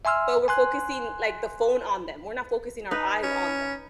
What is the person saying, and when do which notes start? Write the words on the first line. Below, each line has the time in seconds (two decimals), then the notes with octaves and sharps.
but we're focusing, like, the phone on them, we're not focusing our eyes on them.
0.05 E5 G#5 C6 E6 F6
0.48 G#5 C6 F#6
2.91 D#4 B4
3.23 C#4